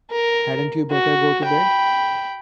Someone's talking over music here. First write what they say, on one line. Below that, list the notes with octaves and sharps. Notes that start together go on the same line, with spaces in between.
Hadn't you better go to bed?
A#4
F#4
G5 B5